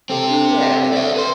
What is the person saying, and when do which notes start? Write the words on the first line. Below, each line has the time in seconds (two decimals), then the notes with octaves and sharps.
Yeah, yeah.
0.10 C4 G4 A4
0.29 D4
0.62 A4
0.93 D5 E5
1.16 A4 B4 C6